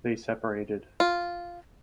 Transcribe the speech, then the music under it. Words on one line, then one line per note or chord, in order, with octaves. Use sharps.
They separated.
F4